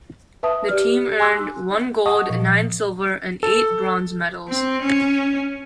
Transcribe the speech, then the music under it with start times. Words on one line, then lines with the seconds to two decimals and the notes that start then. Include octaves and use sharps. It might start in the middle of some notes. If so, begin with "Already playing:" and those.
The team earned one gold, nine silver and eight bronze medals.
0.43 B4 E5 A5 D#6
0.68 G4 D5 F6
1.20 G#5 C6 D6 E6 F#6
2.06 D#5 F#5 A5 C#6 D#6
2.30 A#2 F3
3.43 A4
4.49 C4
4.83 C#4